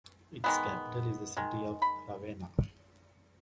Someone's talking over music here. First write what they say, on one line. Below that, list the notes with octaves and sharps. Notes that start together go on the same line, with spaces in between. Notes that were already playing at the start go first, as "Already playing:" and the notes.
Its capital is the city of Ravenna.
D#3 G#3 B3
D#3 G#3
B5